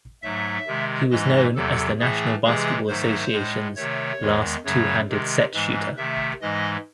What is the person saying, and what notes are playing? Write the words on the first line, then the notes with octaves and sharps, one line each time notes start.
He was known as the National Basketball Association's last two-handed set shooter.
G#2 F#3 A3 E5
C3 D#3 G#3
G#2 E3 G#3 D#5
E2 C3 F#3 A4
A2 E3 A3 G#4
C3 E3 G#3 G#4
G#2 D#3 F#3 A3 C5
A2 G#3
C3 D#3 A3 C#5
E2 D#3 G#3
F#2 C#3 F#3 A3 C#5
C3 D#3 G#3
G#2 E3 G#3
C3 D#3 A3 E5
G#2 E3 G#3 D#5